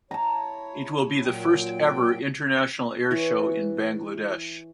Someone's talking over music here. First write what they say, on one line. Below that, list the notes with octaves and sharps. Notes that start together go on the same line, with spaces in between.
It will be the first ever international air show in Bangladesh.
E4 C#5 A5 A#5
A#2 F#3 G5
E3 C#5